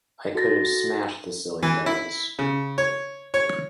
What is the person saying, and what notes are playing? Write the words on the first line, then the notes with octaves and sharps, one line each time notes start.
I could have smashed the silly devils.
F#4 A4 A6 A#6
E3
E4
C#3
C#5
C#5